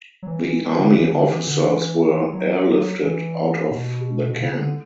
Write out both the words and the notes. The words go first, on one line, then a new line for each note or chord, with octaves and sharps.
The Army officers were airlifted out of the camp.
F#3
E3
E3
D3
E3
D3
E3
D3
E3
F#3
E3
B2
B2
C#3
D3